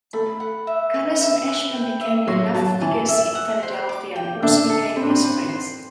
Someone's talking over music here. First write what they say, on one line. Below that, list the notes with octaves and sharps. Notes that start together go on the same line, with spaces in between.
Kalas and Ashburn became beloved figures in Philadelphia, and also became best friends.
A3 A4 B5
F#5
E5
B4
E5
B4
G5
E5
F#3 F#4 C6
F#3 F#4 A5
E3 E4 A5
E5
F#5
C5
D6
G5
D3 D4 E5
A4
C4 B5
D4
C4
F#5
C6